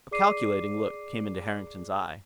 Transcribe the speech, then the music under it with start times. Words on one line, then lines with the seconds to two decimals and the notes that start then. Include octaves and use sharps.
A calculating look came into Harrington's eye.
0.11 G#4 D5 D6 C7 D#7